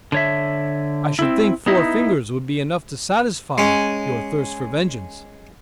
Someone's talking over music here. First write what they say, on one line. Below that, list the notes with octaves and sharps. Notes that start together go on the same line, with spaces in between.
I should think four fingers would be enough to satisfy your thirst for vengeance.
D3 C#5 E5
C4 E4
B3 D#4 E4
G#3 C#4